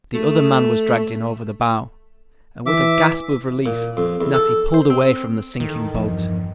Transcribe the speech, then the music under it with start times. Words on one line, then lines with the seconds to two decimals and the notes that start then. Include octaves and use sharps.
The other man was dragged in over the bow, and with a gasp of relief Natty pulled away from the sinking boat.
0.14 A3
2.66 E3 E5 D6
3.66 A#2
3.97 F2
4.21 E2
4.34 A4
4.74 C5
4.90 C4
5.60 E2 D#3 A4
5.94 E2 G2 F3